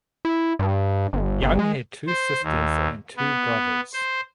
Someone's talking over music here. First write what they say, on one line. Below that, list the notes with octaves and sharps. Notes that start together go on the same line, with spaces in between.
Young had two sisters and two brothers.
E4
G2
G1
G1
G#3
C5
D#2
B3
C5